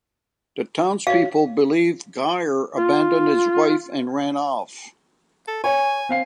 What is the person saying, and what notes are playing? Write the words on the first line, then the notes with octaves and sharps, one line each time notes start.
The townspeople believe Geir abandoned his wife and ran off.
F#4 C#5 F5
F4
A4
C#5 G#5
C4 F5 C7